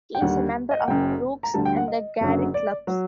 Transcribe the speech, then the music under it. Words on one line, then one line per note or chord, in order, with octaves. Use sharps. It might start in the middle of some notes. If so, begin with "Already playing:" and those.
He is a member of Brooks's and the Garrick Clubs.
G5
D#2 D3 G3 F#5
D#5
F#5
F#1 F#2 F#3 G5
A#5
D2 D3 G3 A5
G5
F#5
D#5
F#1 F#2 D3 F#3
D5
F#3